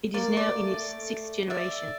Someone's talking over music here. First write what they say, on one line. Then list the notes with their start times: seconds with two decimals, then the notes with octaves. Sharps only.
It is now in its sixth generation.
0.14 A#3 D5
0.37 D5
0.60 A3
1.50 D5 E5